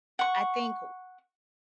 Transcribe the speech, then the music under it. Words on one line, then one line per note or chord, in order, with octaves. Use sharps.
I think
F#5 C#6